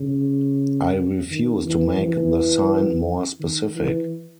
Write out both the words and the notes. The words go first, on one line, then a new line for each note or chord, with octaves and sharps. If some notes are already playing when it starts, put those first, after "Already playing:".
I refuse to make the sign more specific.
Already playing: C#3
D#3
E3
E3
D#3
E3